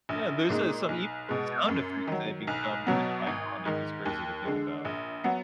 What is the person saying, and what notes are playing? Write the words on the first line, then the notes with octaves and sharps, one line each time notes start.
Yeah and there's, uh, some e sound effects that become kind of iconic, it's crazy to think about.
A#1
A#2 G#3 D#4
B1
B2 G#3
F#2
D#3 F#3
B1
B2 F#3 B3
G#1
G#2 D#3
D#2
D3 G#3
A#1
F#3 B3